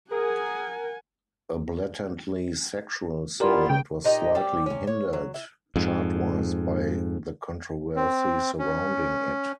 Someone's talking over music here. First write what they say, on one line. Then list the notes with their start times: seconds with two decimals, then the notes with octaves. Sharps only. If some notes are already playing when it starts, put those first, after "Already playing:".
A blatantly sexual song, it was slightly hindered chart-wise by the controversy surrounding it.
0.11 G#4 A#4 F#5 G#5
3.40 B3 E4 F4 G4 A#4 D5
3.70 C#3 G5
4.04 A#2 D#4 G4 D#5
4.35 G3 C4 G4
4.66 C3 C#4
4.87 C#5
5.13 F#3
5.34 E4 E5
5.76 F2 G#2
7.96 C4
8.59 C#4